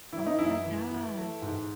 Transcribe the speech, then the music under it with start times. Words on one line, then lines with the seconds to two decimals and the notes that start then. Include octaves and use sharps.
Oh my gosh.
0.13 E3 E4
0.26 D#4
0.38 F#2 E4
0.65 E3
0.91 E3
1.17 A3
1.42 G#2